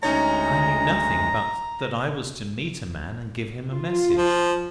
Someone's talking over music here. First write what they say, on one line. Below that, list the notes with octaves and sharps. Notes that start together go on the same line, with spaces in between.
"I knew nothing but that I was to meet a man and give him a message."
D2 G#3 C#4 D#4 C#5 A#5
F4
F3